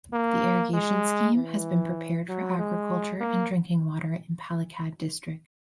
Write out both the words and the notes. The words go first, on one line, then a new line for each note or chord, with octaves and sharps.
The irrigation scheme has been prepared for agriculture and drinking water in Palakkad district.
A#3
G#3
E3
F#3
G#3
A#3